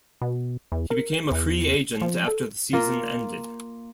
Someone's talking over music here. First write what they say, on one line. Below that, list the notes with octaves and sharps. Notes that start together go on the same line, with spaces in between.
He became a free agent after the season ended.
B2
E2
A#4
E2
F3
A4
A#3 F4